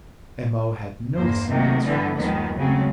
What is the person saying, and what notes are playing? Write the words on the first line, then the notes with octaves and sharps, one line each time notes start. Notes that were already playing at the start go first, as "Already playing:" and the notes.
M.O. had no secrets from this woman.
E2 G2 A#3 C5
C3 D#3 F#3 A3 A#3 D#4
D3 E3 G3 B3
D#2 D#3 F3 G#3 B3
C#3 F#3 G#3 A3 C4